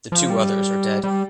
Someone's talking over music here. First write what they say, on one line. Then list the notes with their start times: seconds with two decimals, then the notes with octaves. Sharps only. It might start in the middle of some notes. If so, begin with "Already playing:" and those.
The two others are dead.
0.12 F3
0.30 G3
1.04 G3